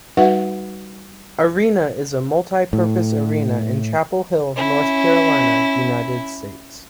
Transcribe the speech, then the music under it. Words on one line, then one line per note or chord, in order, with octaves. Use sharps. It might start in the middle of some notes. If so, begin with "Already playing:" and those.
Arena is a multi-purpose arena in Chapel Hill, North Carolina, United States.
G3 D#4 F#4 B4 E5 F#5
A2
C#4 E4